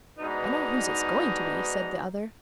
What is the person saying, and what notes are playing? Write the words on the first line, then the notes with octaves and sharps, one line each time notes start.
"I know whose it's going to be," said the other.
G#2 B2 D4 D#4 B4 A#5